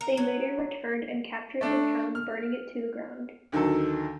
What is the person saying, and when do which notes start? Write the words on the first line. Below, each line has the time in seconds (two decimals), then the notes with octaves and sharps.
They later returned and captured the town, burning it to the ground.
0.01 A#4
0.17 F#3
1.61 A3 D4
2.15 F6
3.52 D2 D#3 F#3 A4 A5